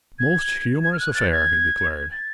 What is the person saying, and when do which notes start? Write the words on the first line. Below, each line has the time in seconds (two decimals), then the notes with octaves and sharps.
"Most humorous affair!" he declared.
0.19 G#6
0.84 G#6
0.92 F6
1.00 F#6
1.15 A6
1.32 G#6
2.12 A6